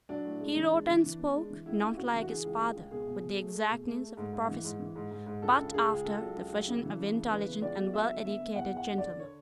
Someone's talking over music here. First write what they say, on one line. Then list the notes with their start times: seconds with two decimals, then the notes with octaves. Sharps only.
He wrote and spoke, not, like his father, with the exactness of a professor, but after the fashion of intelligent and well educated gentlemen.
0.09 F#3 D4
0.25 A2
0.40 G#3
0.57 E3
0.73 G#3
0.88 E3
1.04 E3
1.19 B3
1.35 G#3
1.50 E3
1.66 C#2 E4
1.82 C#3
1.97 C#3 F#4
2.14 E3
2.21 F#4
2.29 E3 G#4
2.44 C#2
2.60 C#2
2.76 C#2
2.91 B2 G#4
3.07 B2
3.23 B2
3.39 A3
3.54 A3
3.70 B2
3.86 A3
4.01 A3
4.17 G#2
4.33 G#2
4.49 E3
4.64 G#2
4.80 E3
4.96 G#2
5.11 G#2
5.27 G#2
5.42 C#2 A4
5.59 C#3
5.74 C#3 G#4
5.90 C#2
6.05 C#2 A4
6.21 F#3
6.36 C#2
6.52 F#3
6.68 C#3
6.83 E3
6.99 C#3
7.15 C#3
7.30 E3 B4
7.46 B3
7.62 C#2 D5
7.77 B3
7.93 F#3 E5
8.09 D3
8.24 B3 E5
8.40 B3
8.56 E2 F#5
8.72 E2 F#5
8.88 D3
8.98 D5
9.03 D3
9.19 D3 C#5